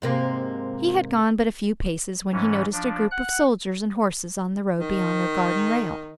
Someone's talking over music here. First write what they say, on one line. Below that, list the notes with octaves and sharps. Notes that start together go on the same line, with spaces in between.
He had gone but a few paces when he noticed a group of soldiers and horses on the road beyond the garden rail.
G#2 C3 A#3
G#2 E3 C#4
F3 D4
F#5 F#6
D#3